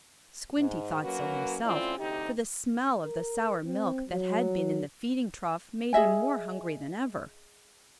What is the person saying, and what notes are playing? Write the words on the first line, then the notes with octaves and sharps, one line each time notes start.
Squinty thought so himself, for the smell of the sour milk that had been in the feeding trough made him more hungry than ever.
G#2
F#3 A#3 C#4 F#4 A#4 B4
A2 C4 C#4 E4 F4 D5
D2 C3 D#4 G4
A#4
C4
F#3
G#4 D#5 E5 G#5